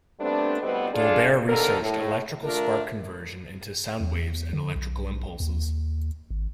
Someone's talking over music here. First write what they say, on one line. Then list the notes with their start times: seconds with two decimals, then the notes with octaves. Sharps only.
Dolbear researched electrical spark conversion into sound waves and electrical impulses.
0.20 G3 A3 B3 C4 D4
0.61 D2 A2 G3 B3 C4 D#5
0.92 D4 F4 G#4 A4 D5
1.48 D#2 D3 A4 A#4
1.79 A2
2.43 A3 D4 F4 A#4
4.01 E2
4.53 D3
4.75 B1
5.40 D#2
6.30 G#1